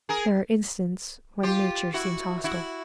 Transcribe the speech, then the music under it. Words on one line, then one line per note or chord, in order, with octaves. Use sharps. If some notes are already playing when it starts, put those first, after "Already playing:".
There are instants when nature seems hostile.
G#4 A#4
F4 G4
E4 F#4
E4 F#4